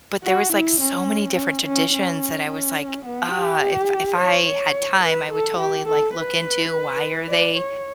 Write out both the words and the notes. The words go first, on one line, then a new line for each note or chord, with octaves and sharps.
but there was, like, so many different traditions that I was, like, "Ah, if if I had time, I would totally, like, look into why are they
F#4
E4
C#4
C#4
C#4
C#4
C#4
B3
G4
C#5
C#5
B4
A4
G4
A4
B4
D5
C#5